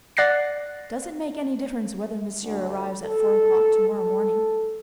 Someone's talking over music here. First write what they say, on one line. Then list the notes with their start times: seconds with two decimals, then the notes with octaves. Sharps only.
"Does it make any difference whether Monsieur arrives at four o'clock to-morrow morning?"
0.17 D5 F#5 F#6 A6 A#6 C7
2.42 D2
3.03 A4
3.88 A4